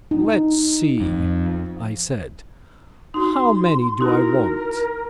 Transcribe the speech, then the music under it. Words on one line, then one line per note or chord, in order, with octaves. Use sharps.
"Let's see," I said, "how many do I want?"
D#4
F2
D#4 F#4 C6
D#4 E4 F#4 A#4